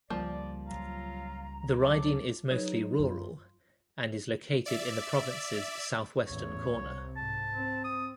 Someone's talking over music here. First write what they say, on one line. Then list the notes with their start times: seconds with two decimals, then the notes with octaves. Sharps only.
The riding is mostly rural, and is located in the province's southwestern corner.
0.10 C#2 F3 G3 A#3 D5
0.67 F#3 F4 F5 A#5
1.79 F#3 A5 D6
2.51 F#3 D#4 G#4 B4 C#5
2.99 F#2 F#3 F4
4.66 D5 E5
6.27 A1 E2 C#5
6.74 C2 C3
7.16 G#2 A5
7.54 C4
7.84 D#6